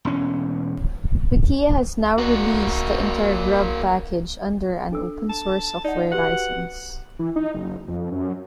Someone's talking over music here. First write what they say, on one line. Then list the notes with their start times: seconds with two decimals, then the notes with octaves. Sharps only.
Wikia has now released the entire Grub package under an open source software license.
0.05 E1 C#4
2.18 A#3 F#4
4.91 D4 A4 E6
5.30 A5
5.84 D#4 D5 F#5
6.12 F#4 G4 B4 F#5
7.19 E3
7.36 D#4
7.54 F#1
7.88 F2
8.12 F#2